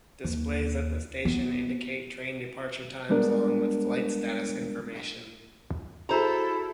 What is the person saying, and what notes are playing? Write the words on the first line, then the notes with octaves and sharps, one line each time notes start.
Displays at the station indicate train departure times along with flight status information.
D#2
B3
G3 G#3 B3 D4 A#4
E4 F#4 G#4 A4 C5 A#5